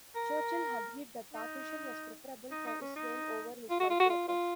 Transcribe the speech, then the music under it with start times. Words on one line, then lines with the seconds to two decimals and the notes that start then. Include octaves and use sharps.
Churchill agreed that Partition was preferable for Israel over his White Paper.
0.16 A#4
1.34 D#4
2.51 D#4
2.67 D#4
2.82 C#4
2.96 D#4
3.70 F4
3.80 F#4
3.90 F4
4.00 F#4
4.10 F4
4.29 F4